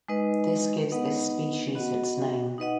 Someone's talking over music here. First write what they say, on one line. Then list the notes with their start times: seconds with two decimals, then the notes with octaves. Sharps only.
This gives this species its name.
0.08 G#3 D#4 B4 D#5
0.92 B3 D#4 B4 D#5 F#5
1.75 B3 F#4 D#5 F#5
2.58 D#4 B4 D#5 F#5